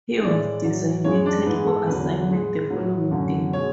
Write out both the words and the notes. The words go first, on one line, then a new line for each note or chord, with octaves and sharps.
He was designated for assignment the following day.
A2 E3 G#3 D5
A2 F#3
F#2 E3 G#3 C#5
D4
G#2 E3 G#3 B4
A4
E2 D3 F#3 B4
A2 G#3
A2 F#3
F#2 D3 F#3
B2 G#3 C#5